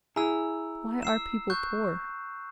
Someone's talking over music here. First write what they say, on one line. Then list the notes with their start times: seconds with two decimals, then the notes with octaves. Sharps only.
Why are people poor?
0.16 E4 G#4 A#5 E6
1.02 E6 C7 E7
1.50 C#6 F#6 G6